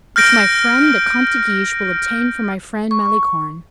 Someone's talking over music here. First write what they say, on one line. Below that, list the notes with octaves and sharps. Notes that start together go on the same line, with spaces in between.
"Which my friend the Comte de Guiche will obtain for my friend Malicorne."
F6 G6 A#6 D7
C#6